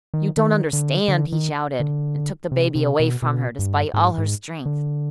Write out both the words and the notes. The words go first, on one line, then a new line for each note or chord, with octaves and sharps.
"You don't understand!" he shouted, and took the baby away from her, despite all her strength.
D#3
D#3
D3
D3
D#3
D3
C3
C3
B2
B2
G2
G#2
G#2
D3